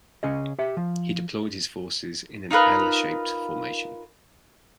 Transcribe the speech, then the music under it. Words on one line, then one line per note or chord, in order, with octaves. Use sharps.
He deployed his forces in an L shaped formation.
C#3 C#4 G#4 D#5
G4 E5
F3
D#4 F4 A#4 B4